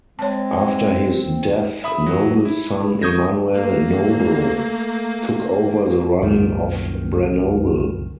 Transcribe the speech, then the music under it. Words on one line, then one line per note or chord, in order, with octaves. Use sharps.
After his death, Nobel's son Emanuel Nobel took over the running of Branobel.
G#3 C4 C#5 A5
E5 B5 D#6
F#3
E4
C#6 D#6 G6 G#6 A#6
A3 A#3
C2 F#2 A#2 D#3